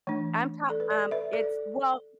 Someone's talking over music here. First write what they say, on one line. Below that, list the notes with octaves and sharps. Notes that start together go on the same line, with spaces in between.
I'm talk um, it's well,
E3 A3 D4
A4 D5
B4
A4 D5
B4 E5
A4 D5